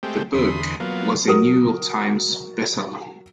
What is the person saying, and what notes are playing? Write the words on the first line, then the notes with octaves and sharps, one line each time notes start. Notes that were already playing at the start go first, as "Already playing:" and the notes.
The book was a "New York Times" bestseller.
G#3 A3 C4 G4
E2 D3 B5 C6 D#6
F#3 A#3 B3 F4
F#3 A#4 D#6